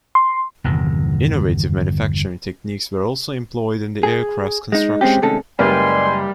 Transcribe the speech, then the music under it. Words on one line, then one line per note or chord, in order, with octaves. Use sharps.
Innovative manufacturing techniques were also employed in the aircraft's construction.
C6
G1 E2 C3 D#3
G#4
G#3 D#4
G#3 C4 C#4 G4
C3 D#3 G#3 A3 C#4 A4
F#1 G3 G#3 B4 G#5 C6 F6